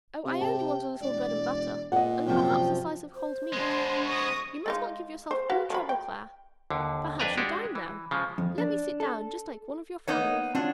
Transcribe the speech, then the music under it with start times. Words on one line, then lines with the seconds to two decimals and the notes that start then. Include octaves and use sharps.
"Oh, I only want a little bread-and-butter, and perhaps a slice of cold meat--you must not give yourself any trouble, Clare--perhaps you dine now? let me sit down just like one of your family."
0.25 C3
0.41 G5 A5
1.01 E1 D5
1.92 A#2 D#5 F#5
2.26 F#2 C3 F3 G5
3.15 C5
3.52 G#3 B3 D4 C6
4.06 C#6 D#6 A#6
4.66 G#3 D#4 F4
5.31 C5
5.50 F#4 B4 F5
5.70 F3 A#4 B5
5.89 G5
6.70 D#2 D3
7.20 F2 D4 B4 D5 G#5 A#5
7.37 G#3 D4 F#4 G4
7.75 E3
8.11 C#3 F3 G#3
8.38 F2
8.58 D4
9.00 A4
10.08 A#3 B3 D#4 C#5 D#5
10.55 C4 D4 F4 F#4 C#5